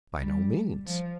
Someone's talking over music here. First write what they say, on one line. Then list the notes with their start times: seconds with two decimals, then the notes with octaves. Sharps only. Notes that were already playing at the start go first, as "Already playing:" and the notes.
"By no means."
0.22 G3
0.86 F3